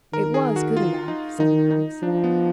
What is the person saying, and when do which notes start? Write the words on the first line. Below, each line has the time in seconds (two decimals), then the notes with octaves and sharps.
"It was good enough," said Max.
0.13 D#3 A#4
0.34 G#4
0.56 F#4
0.77 F4
1.08 D#4
1.39 D#3 D#4
1.71 D#4
2.03 F3 D4
2.24 B3